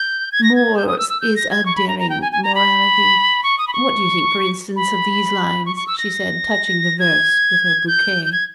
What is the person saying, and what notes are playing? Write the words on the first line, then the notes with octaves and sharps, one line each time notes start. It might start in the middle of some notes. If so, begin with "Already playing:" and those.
'Moore's is a daring morality--what do you think, for instance, of these lines?' she said, touching the verse with her bouquet.
Already playing: G6
G#6
A#6
G#6
G6
D#6
E6
E6
G6
A#6
G#6
C#6
B5
A#5
A#5
G5
G#5
G#5
A#5
B5
C#6
D#6
B5
C#6
B5
C#6
C#6
E6
A#6
G#6
G6
G6
G#6